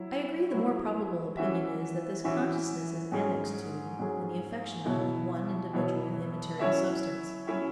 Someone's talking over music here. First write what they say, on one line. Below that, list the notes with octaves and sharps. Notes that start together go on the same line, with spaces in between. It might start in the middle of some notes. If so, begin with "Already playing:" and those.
I agree, the more probable opinion is, that this consciousness is annexed to, and the affection of, one individual immaterial substance.
Already playing: F#3 E4 C#5
F#3 E4 C#5
E3 C#4 F#4 E5
E3 C#4 F#4 E5
G#2 F#3 C#4 G#4
G#2 F#3 C#4 G#4
B2 F#3 B3 E4 C#5
B2 F#3 B3 E4 C#5
F#3 C#4 E4 C#5 E5
F#3 C#4 E4 C#5 E5